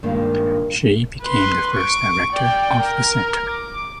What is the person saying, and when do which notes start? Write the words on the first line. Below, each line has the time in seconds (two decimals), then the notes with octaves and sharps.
She became the first director of the centre.
0.03 G2 A#2 D#3 G3 G#3 A#3
1.22 B4 C6
1.75 C#6 D7
2.33 D5 G5
2.80 A#4
3.49 D6